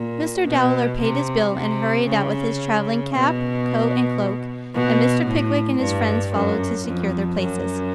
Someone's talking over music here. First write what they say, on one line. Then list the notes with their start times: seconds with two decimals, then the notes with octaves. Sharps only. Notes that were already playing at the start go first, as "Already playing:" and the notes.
Mr. Dowler paid his bill, and hurried out with his travelling cap, coat, and cloak; and Mr. Pickwick and his friends followed to secure their places.
Already playing: A#2
0.47 B2
1.01 C3
1.54 C3
2.07 C#3
3.14 B2
4.74 B2
5.27 A2
5.80 G2
6.33 F#2
6.86 F2
7.40 F#2